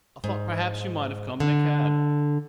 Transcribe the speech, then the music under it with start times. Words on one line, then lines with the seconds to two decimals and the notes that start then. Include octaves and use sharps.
I thought perhaps you might have come in a cab.'
0.24 G#2
1.40 D3